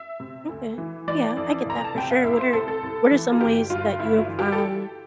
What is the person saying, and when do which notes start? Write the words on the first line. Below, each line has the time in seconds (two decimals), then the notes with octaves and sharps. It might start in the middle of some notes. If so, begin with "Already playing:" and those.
Okay, yeah, I get that for sure. What are what are some ways that you have found
Already playing: E5
0.20 C3
0.49 D2
0.78 E3
1.07 E3 D5
1.37 F2
1.66 F1 A#5
1.84 A5
1.95 C3 G5
2.11 F5
2.24 C2 E5
2.39 C5
2.53 C3 A4
2.68 A4
2.82 C2
3.11 E3
3.32 F4
3.41 G1 G4
3.70 G2 F4
3.85 F4
3.99 G1 E4
4.19 F4
4.28 E3
4.39 G4
4.52 A4